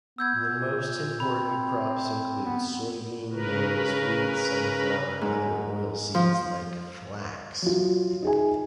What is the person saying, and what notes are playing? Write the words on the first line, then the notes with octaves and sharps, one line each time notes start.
The most important crops include soybean, maize, wheat, sunflower and other oilseeds, like flax.
B3 E6 G6 G#6
A#2
C4 B5
B3
C#3 A#4 B4
G#2
F3
F#3 F4
D#4 G#4 G#5